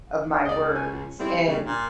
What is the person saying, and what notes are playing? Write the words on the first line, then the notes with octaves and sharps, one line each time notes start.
of my words and
C#2 D5 D#5
C#4 G#5
G3 C4 E4 G4
C#3 G3
A#2